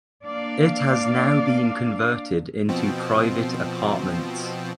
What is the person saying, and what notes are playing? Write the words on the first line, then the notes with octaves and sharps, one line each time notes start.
It has now been converted into private apartments.
A#3 D4 D5 F5
B2 F3 C4